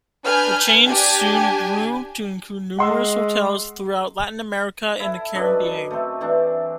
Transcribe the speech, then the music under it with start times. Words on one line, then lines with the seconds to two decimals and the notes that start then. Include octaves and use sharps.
The chain soon grew to include numerous hotels throughout Latin America and the Caribbean.
0.24 D4 B4 G#5 F6 G6
0.86 D4 G4 G#5
2.79 G#3 F#5 C6 E6
5.00 E4 A4
5.34 F#2 D4 B4 D#5
5.91 A3 C4
6.21 E3 A3 C4 D4